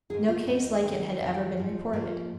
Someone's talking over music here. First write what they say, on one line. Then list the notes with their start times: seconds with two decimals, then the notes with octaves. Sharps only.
No case like it had ever been reported.
0.10 D#3 G#4
0.14 G#2
0.28 F4
0.47 D#2 D#3 D#4
0.84 G#2 D#3
1.20 F2 D#3
1.57 G#2 F3
1.93 G#2 F3 A#3